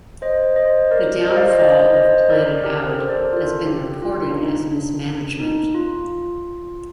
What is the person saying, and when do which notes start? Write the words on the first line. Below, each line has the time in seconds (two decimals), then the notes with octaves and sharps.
The downfall of Planetout has been reported as mismanagement.
0.22 C5 D#5
0.56 C5 D#5
0.91 A#4 D5
1.25 C5 D#5
1.37 D5 F5
1.48 C5 D#5
1.60 C5 D#5
1.94 C5 D#5
2.29 A#4 D5
2.64 G4 A#4
2.99 A4 C5
3.09 A#4 D5
3.33 F4 A4
3.67 G4
4.02 F4
4.29 D4
4.36 D#4
4.71 D4
5.40 D#4
5.75 F4